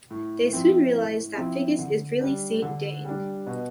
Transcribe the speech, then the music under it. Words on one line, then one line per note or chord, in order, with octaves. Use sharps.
They soon realize that Figgis is really Saint Dane.
A2
F3 C4 E4
A2
F3 C4 E4
D3
G3 D4
D3
G3 D4
B2